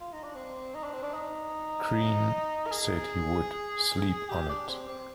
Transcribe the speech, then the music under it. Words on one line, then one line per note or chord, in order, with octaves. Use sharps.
Crean said he would "sleep on it".
F4
D#4
D4
C4
D#4
D4
C4
D4
D#4
A#4
G#4
G4
D4
C4
C4